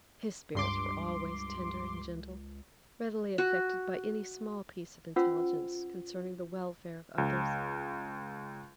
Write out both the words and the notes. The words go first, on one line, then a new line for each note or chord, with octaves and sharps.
His spirits were always tender and gentle, readily affected by any small piece of intelligence concerning the welfare of others.
C#2 G2 C6 D6
F#4
C#4 F4 C5 F#5 E6
C#2